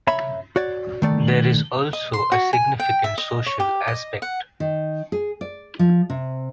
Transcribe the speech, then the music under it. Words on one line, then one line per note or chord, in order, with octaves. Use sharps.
There is also a significant social aspect.
C#5 E5 A#5 B5
F#4 C#5 D5
D#3 A3 D5
D#5
C6
F#4
G#5
G5
E5
D#5
C#5
G4
D#5
F#5
D#3
G#4
D5
F3
C3